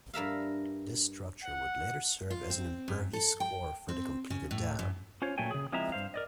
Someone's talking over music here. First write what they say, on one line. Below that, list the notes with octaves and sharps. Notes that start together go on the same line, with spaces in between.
This structure would later serve as an impervious core for the completed dam.
G2 A#4 E5 F5
F#5
F4
C4
F#2
A4
G5
C4
C#3
A2
F#2
C#4 F4 C5 C#5
A#2 F#3 A3 C#5 G5 G#5
C#3 G#4
F3 G#3 C4 E4 E5 A#5
G2 C5 F5
A#4 D5 D#5